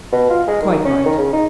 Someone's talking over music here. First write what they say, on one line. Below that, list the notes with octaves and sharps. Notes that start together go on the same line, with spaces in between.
"Quite right."
B2
F4
G#3
D#3
C#4
D#3
C#3
D#4